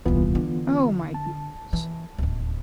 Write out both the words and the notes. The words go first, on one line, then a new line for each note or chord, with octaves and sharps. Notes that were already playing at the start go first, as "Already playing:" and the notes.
Oh my gosh.
D#1 C2 E3 B3 F4
D3
A5
E3
D1 D#2